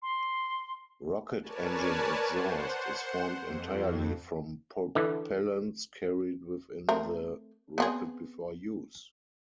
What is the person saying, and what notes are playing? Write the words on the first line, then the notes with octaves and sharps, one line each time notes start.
Rocket engine exhaust is formed entirely from propellants carried within the rocket before use.
C6
A#4 B4 C#5 D5 G#5 A5
C5 F#5
F2
D3 E3
A3 C4 A#4
B3 C4 G#4